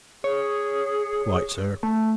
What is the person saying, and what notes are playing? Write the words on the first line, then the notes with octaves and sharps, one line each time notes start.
"Quite, sir."
G#4 C#5
A3